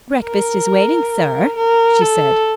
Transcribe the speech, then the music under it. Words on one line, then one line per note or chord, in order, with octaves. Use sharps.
"Breakfast is waiting, sir," she said.
A#4
A#4
A4